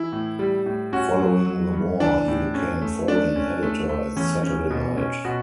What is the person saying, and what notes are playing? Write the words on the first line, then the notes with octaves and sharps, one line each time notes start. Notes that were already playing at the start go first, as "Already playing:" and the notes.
Following the war, he became Foreign Editor at Saturday Night.
Already playing: E3 E4
A2
G3
A2
C#4 F#4
F#3
F#3
G2
E3 D4
A2
C#4
A3
A3 D4
C#4
A3
A3
E2 C#4
C#4
B2
C#4
B2 F#4